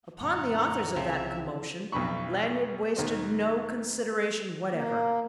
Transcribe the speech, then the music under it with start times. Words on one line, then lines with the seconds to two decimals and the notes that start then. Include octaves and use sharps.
Upon the authors of that commotion Lanyard wasted no consideration whatever.
0.21 F#2 A#2 D3 F#5 A#5
0.96 C2 C#3 F3 C4 E5
1.92 B1 F2 B2 B5 C#6
2.96 D#2 B2 C5 D#5
4.72 A#3